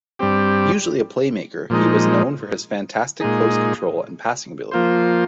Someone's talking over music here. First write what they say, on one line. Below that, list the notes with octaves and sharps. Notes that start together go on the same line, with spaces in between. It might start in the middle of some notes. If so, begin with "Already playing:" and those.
Usually a playmaker, he was known for his fantastic close control and passing ability.
G2 G3 C4 G4
A#2 F3 G#3 D#4
A#2 G#3 D#4 G#4
F3 A#3 F4 C5